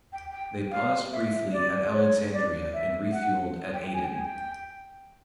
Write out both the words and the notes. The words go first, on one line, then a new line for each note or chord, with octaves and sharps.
They paused briefly at Alexandria and refuelled at Aden.
G5
G5
F5
E5
D5
C#5
D5
E5
F#5
G5
G#5
G5
G#5
G5